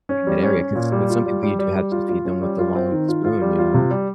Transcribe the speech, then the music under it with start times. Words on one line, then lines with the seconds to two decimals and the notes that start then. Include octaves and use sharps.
from that area 'cause with some people, you do have to feed them with a long spoon, you know?
0.09 C#4
0.27 G3
0.43 C#4
0.59 C#4
0.75 A#2
0.92 G3
1.10 F4
1.26 G3
1.43 G3
1.59 G3
1.76 G3
1.92 F4
2.09 F4
2.25 C#4
2.42 G3
2.59 F4
2.75 C4
2.92 D#3
3.08 F4
3.25 F4
3.41 G3
3.58 F4
3.74 C3
3.91 G3